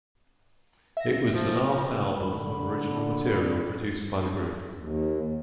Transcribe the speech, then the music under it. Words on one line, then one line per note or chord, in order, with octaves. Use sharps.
It was the last album of original material produced by the group.
E5 A#6
F3
D3 B5
D#2